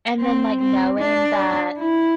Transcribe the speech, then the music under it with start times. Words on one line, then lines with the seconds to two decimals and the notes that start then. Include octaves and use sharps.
And then, like, knowing that
0.19 C4
0.60 C4
0.99 D4
1.79 E4